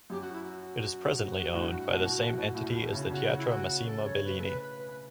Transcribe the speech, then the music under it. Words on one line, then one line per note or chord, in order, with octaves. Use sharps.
It is presently owned by the same entity as the Teatro Massimo Bellini.
F#2 G4
F#4
E4
F#4
A2
G2
B2
A2
A2
A2
B2
C#3
C#3 F#4
E4
F#4
A4
C#5
B4
A4
B4
B4